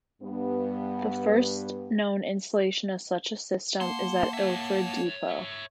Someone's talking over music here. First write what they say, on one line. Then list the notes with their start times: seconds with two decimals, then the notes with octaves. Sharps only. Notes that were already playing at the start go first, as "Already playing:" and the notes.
The first known installation of such a system is at Ilford Depot.
0.22 G2 B3
3.81 A#3 F#5 A5 C6
4.34 C#5 E5